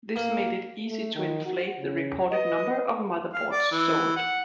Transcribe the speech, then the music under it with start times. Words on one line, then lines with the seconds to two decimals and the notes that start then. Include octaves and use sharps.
This made it easy to inflate the reported number of motherboards sold.
0.16 A#3
0.87 A3
1.15 D#3
1.46 F#4
1.79 C#3
2.30 B4 D#5
3.33 F5
3.51 D5
3.71 E3
4.16 F#5